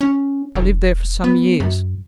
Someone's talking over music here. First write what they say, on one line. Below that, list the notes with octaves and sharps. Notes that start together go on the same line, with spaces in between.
I lived there for some years.
C#4
E1
B3
F#2